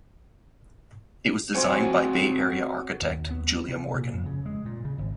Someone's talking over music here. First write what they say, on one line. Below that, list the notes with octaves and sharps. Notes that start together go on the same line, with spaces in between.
It was designed by Bay Area architect Julia Morgan.
C4 F#4 C5 C#5 F#5 G#5
D#2
B3
C3
A#2
F2
C#3
G#3
A#2
C#3
G#1